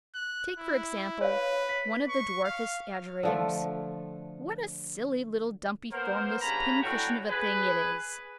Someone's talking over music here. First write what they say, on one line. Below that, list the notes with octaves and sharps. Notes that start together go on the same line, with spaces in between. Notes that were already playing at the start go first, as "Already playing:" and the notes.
Take, for example, one of the dwarfest Ageratums: what a silly little dumpy, formless, pincushion of a thing it is!
F#6
E4
B4 C#5 F5
B6
C#6
F5
D3 F3 A3
A#3 B3 A#4 C5
G2 C#3 G#5 A#5 B5
A2 D3 C#4 F#4 G5
G#4 B4